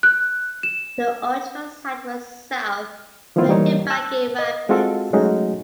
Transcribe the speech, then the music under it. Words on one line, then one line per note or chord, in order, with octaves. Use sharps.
The original site was south of the Ubangi rapids.
F#6
E7
D#3 F3 A3 B3 E4 F4
E3 G3 A#3 D#4 C#5
A5 E6 F#6
D#5
G#3 C4 F4 F#4 A4
F#3 G#3 A3 C#4 D#4 F#4